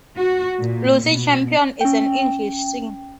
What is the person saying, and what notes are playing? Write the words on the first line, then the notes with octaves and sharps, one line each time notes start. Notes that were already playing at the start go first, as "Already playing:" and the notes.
Lucy Champion is an English singer.
F#4
A#2
B2
C#4 G5